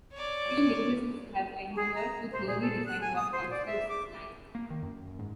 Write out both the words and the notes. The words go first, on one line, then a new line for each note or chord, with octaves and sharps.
Few linguists have endeavored to clearly define what constitutes slang.
C#5 D5
G#4
A#5
C5
G#4
A4
F#6
G#5
D#6
C5
D5
E5
D6
A#3
D#3
F#2
G#2